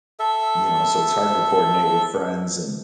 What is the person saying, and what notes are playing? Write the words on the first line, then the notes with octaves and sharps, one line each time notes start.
you know, so it's hard to coordinate with friends and,
A4 E5